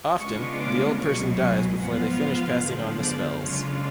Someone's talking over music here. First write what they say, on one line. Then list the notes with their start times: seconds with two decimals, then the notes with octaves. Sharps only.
Often, the old person dies before they finish passing on the spells.
0.20 C#3 G#3 B3 D4 F4 C#6
0.60 D6
1.00 C#2 B2 F#3 C#6
1.40 G#5
1.80 G#2 F3 B3 F4 F#5
2.20 F5
2.59 F#2 D3 F3 G#3 B3
3.00 D5
3.39 F#2 C#3 G#3 D4 F4 C#5